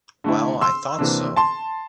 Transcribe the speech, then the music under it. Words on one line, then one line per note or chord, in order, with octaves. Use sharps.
Well, I thought so.
D3 A3 E4
C6 E6
C3 E3 A#3 D4
A5 C6